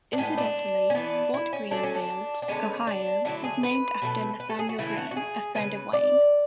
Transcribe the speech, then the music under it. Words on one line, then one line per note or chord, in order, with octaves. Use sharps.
Incidentally, Fort Greene Ville, Ohio, was named after Nathaniel Greene, a friend of Wayne.
D4
A2 G#3 B3 C#4
D4
C#4
E3 B3 D4
E4
C#4
D3 F#3 A3 C#4 D4
C#4
D4
D4
D3 G#3 B3 C#4
D4
D3 F#3 A3 E4
G#4
B4
B2 F#3 A3
B4
A4
G#4
F#4
C#3 E3 A3 E4
F#4
F#4
G#4
C#3 G#3 C#4 B4
D5